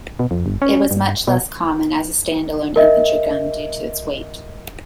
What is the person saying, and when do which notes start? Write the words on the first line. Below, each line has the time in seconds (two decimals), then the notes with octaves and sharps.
It was much less common as a stand-alone infantry gun due to its weight.
0.19 B2
0.31 F2
0.46 G1
0.62 C#4
0.91 G2
1.28 B2
2.76 A#4 D#5 E5